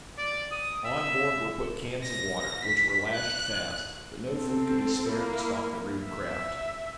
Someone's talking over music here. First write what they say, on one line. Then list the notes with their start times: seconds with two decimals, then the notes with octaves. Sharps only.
On board were put cans of water, which were lashed fast, but no food could be spared to stock the rude craft.
0.18 D5
0.52 D#6
0.85 E5
2.03 A#6
2.64 B6
3.14 F#6
4.29 C4 A4
5.10 A#3 E4
6.05 E5